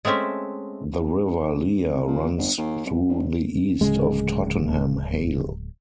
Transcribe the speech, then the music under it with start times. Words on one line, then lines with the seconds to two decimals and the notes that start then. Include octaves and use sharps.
The River Lea runs through the east of Tottenham Hale.
0.05 G#3 A3 C4 C#4 E5
1.85 C2
2.07 A#2
2.38 G1
2.57 D#2
2.86 C2
3.09 G1
3.81 D1 C#3 G#3